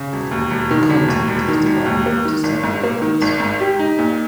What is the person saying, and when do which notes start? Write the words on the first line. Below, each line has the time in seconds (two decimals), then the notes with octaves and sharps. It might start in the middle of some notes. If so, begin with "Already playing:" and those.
The content is divided into several parts.
Already playing: C#3
0.13 E1
0.31 D#2
0.51 E1
0.71 D#3
0.90 E1
1.09 D#2
1.28 E1
1.48 D#3
1.66 E1
1.86 D#2
2.06 A#3
2.25 D#3
2.44 G#1
2.64 G#2
2.83 A#3
3.02 D#3
3.22 G#1
3.40 G#2
3.60 G4
3.79 D#4
3.99 A#2